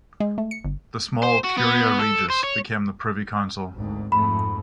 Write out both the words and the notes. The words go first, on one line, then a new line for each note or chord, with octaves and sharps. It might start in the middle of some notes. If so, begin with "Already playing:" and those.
The small "curia regis" became the Privy Council.
G#3
A3
C#7
G1
C5
F#4
B3
A4
C5
C#5
G#1 D2 G#2
F2 G#2 A3 B5